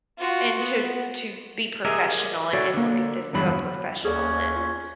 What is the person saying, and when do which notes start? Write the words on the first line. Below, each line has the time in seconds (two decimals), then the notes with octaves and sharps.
and to to be professional and and look at this through a professional lens."
0.18 F4 F#4
0.59 B3
1.85 G4 G#4 A#4 D#5 E5
2.53 F#4 A4 C#5 D5
2.74 D3 A#3
3.33 E2 G2 D3 F#3 B5
4.04 D#2 C#4 G#4 A4 D5
4.56 F4